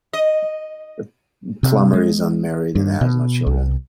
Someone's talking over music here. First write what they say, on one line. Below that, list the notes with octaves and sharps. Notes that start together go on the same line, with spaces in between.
Plummer is unmarried and has no children.
D#5
C3
G#3
G2
B2
C2